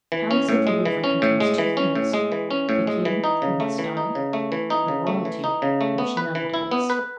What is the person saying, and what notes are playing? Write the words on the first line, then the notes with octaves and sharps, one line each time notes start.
The Palace of the Louvre contains two things--the king, who must die, and royalty, which never dies.
E3
C#4
A2
G#3
E3
C#4
A2
G#3
E3
C#4
A2
G#3
E3
C#4
A2
G#3
E3
D#4
C#3
A3
E3
D#4
C#3
A3
E3
D#4
C#3
A3
E3
D#4
C#3
A3
B3
B4
E3
E4
B3
B4